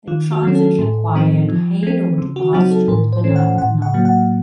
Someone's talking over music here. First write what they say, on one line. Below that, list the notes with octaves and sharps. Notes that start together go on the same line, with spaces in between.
The transit required "Haddo" to pass through the Panama Canal.
D#3 F4
F#4
F#3 A3 C#4
A4
A2
F3 C4 D#4
F3
A3 C4
C#3
F#4
F#3 C4 D#4 F#4
A4
A2 A#4
C5
A3 C#4
F#5
A2 F#5
F#5
F#3 A#3
F#5